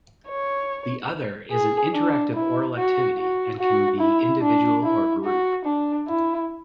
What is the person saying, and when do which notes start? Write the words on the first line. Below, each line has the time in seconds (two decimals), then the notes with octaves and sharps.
The other is an interactive oral activity and can be individual or group.
0.28 C#5
1.52 G#4
1.93 D4
2.35 E4
2.76 F#4
3.18 F#4
3.59 F#4
4.00 E4
4.42 D4
4.83 E4
5.25 F#4
5.65 D4
6.08 E4